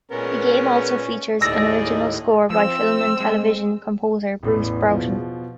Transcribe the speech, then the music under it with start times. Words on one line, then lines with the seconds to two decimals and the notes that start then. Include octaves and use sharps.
The game also features an original score by film and television composer Bruce Broughton.
0.12 A#2 G#3 B3 C#4 A#4
1.41 D#2 A2 D#4 G#4 D5 D#5 E6 A#6
2.50 F3 C4 E6
3.20 G#3
4.43 A1 E2 A2
4.91 B2 F3